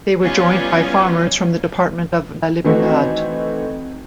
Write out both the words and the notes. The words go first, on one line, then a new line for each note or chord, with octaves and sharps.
They were joined by farmers from the department of La Libertad.
G3 B3 C#4 D#4 F4
E3 A3 C4 D#4 F#4